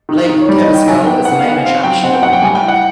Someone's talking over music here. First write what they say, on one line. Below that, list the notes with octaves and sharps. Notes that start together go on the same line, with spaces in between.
Lake Temescal is the main attraction in the park.
D#3
D#3
C#5
G3 D5
D#5
D#3
G5
F#3 G#5
B3 G5
B3 F#5
F5
B3
F#5
C4 F5
F#3 G5
C4 F#5
G5
F#3 F#5
G5
G3 G#5
G5
E3
F#5